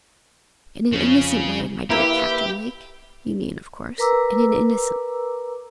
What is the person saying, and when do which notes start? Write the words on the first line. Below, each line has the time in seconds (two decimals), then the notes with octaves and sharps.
'In an innocent way, my dear Captain Lake, you mean, of course--in an innocent way.'
0.92 F2 C#3
1.90 A#3 E4 G4 B4 E5
3.98 A#4 B4 A#5 D6 E6